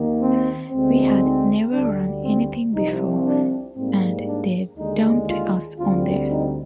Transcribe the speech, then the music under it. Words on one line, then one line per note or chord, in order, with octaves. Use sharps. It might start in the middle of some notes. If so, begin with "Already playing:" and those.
We had never run anything before, and they dumped us on this.
Already playing: D#2 D#3 A#3
C4
D2 D3 G#3 C4
D#4
D2 D3 G3 D4
C4
C2 C3 F3 C4 D#4
D4
G#2 G3 A#3 C4
D4
D#2 D3 G#3 D#4
F4
D2 D3 G3 C4 F4
D#4